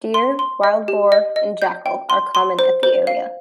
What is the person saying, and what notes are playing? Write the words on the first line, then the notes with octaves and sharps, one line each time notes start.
Deer, wild boar and jackal are common at the area.
C6
C6
D#5
G4
D#5
D#5
G6
G5
C6
C6
C5
C5
F5